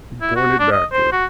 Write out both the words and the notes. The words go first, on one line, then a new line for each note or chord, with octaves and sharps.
He pointed backward.
E4
F#4
D4
D#5
C5
F#4